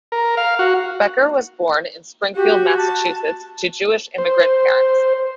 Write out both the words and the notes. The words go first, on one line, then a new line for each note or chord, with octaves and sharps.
Becker was born in Springfield, Massachusetts, to Jewish immigrant parents.
A#4
F5
F#4
F#4 G4
A5
C5